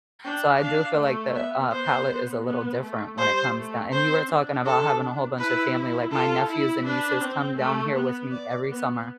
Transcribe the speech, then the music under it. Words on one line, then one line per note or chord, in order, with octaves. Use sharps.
So, I do feel like the, uh, palate is a little different when it comes down and you were talking about having a whole bunch of family, like, my nephews and nieces come down here with me every summer.
D4 G5
D4 F5
A3
B3 E5
C5
B3
A3
G3 C5
A3
C4 C5
D4
A4
E4 B4
F4 A4
E4
D4 B4
C4
A3
B3
D5
B3